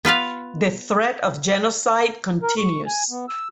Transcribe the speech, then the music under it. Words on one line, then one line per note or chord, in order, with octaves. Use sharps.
The threat of genocide continues.
B3 F4 B4 F5
A#4
C#6
G#5
B3
E6